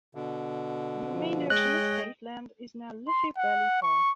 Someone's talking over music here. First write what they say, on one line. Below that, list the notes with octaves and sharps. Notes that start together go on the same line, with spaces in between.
The remainder of the estate land is now Liffey Valley Park.
B2 D3
F3
G#3 C#5 D#5 G5 F#6
C6
F#5
C#6